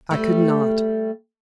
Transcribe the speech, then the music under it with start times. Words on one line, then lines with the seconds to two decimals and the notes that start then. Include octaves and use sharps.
I could not.
0.11 G3 A3